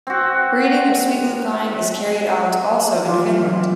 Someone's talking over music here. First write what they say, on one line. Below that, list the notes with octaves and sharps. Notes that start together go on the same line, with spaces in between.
Breeding of sweet lupine is carried out also in Finland.
C4 F#4
E3 F#3 F4 G4